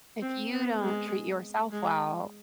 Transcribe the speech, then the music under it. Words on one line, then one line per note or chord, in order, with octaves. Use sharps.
if you don't treat yourself well,
C4
B3
G#3
G#3